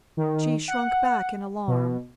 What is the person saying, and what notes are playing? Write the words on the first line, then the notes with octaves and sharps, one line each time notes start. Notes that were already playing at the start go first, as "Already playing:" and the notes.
She shrunk back in alarm.
D#3
F#5
B2